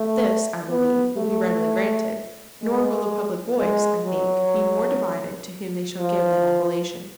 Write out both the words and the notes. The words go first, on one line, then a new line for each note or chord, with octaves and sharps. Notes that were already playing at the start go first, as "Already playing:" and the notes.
This, I believe, will be readily granted; nor will the public voice, I think, be more divided to whom they shall give that appellation.
Already playing: A3
B3
A3
G#3
G#3
F#3
F3